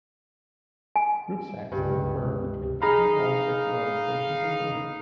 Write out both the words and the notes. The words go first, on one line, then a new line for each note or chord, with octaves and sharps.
Group sex can occur between people of all sexual orientations and genders.
G#5
C#2 G2
D#4 G#4 F5 A#5 B5